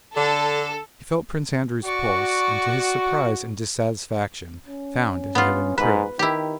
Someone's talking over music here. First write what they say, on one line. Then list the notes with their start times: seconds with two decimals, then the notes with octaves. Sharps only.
He felt Prince Andrew's pulse, and to his surprise and dissatisfaction found it had improved.
0.16 D3 A4
1.85 F#4 D5 C#6
4.67 C#4
5.35 B3 F4
5.78 G#2 B4
6.19 D#3 E4 G4